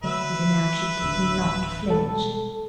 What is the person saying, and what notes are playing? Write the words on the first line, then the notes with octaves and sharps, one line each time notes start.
Even now she did not flinch.
D3 F#3 A3 B4 E5
D1 A1 D3
B2 G3 G#3 A4